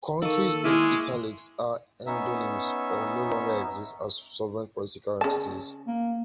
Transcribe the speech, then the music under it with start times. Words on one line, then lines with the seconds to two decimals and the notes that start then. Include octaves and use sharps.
Countries in "italics" are endonyms or no longer exist as sovereign political entities.
0.22 D#3 A#3 A4 C#6 E6
0.64 G#3 E4 D6 F6 D#7
2.07 B3 C#4 D#4 E5
5.21 C#3 A5
5.87 A#3